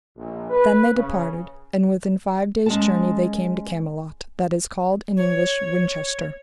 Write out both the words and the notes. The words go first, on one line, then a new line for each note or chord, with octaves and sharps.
THEN they departed, and within five days' journey they came to Camelot, that is called in English, Winchester.
A#1
B4
C#3
G#3 C#4 A5
C#5